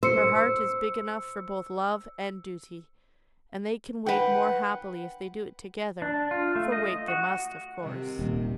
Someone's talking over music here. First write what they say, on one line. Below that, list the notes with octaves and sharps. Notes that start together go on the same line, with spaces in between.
Her heart is big enough for both love and duty; and they can wait more happily if they do it together--for wait they must, of course.'
C5 E6 C#7
B4 F#5 G5
D4
F4
A3
D#5
F#4
C3 D#3
D#1